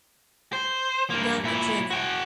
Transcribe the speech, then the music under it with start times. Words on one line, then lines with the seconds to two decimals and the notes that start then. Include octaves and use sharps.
Durkee Jr.
0.53 C5
1.10 G2 A#3
1.44 A#2 E4
1.91 F#4 G5